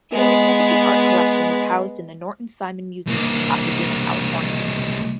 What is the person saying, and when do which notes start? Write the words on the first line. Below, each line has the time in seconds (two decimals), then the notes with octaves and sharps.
His significant art collection is housed in the Norton Simon Museum in Pasadena, California.
0.13 G#3 B3
3.07 C2 A#3